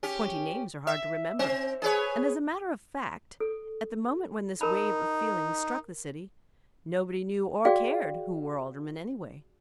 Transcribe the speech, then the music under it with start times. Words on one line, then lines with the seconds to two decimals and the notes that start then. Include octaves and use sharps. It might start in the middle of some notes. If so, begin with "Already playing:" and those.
Twenty names are hard to remember, and as a matter of fact, at the moment when this wave of feeling struck the city, nobody knew or cared who were aldermen, anyway.
0.03 C#4 G4
0.87 E5
1.39 C4 C5
1.82 G#4 B4 C#5
3.40 A4
4.61 D#4 A#4 A5 B5
7.65 F#4 G#4 D5 F5 G5